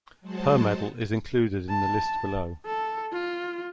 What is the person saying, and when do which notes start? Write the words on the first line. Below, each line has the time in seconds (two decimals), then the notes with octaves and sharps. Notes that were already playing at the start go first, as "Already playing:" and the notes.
Her medal is included in the list below.
0.21 F#3 G#3 F#4 C5 A5
1.69 A5
2.66 A4
3.12 F4